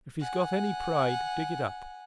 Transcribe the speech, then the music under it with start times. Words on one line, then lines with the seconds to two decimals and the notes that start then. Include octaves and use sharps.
If he's got any pride, dig it up.
0.20 F#5 G#5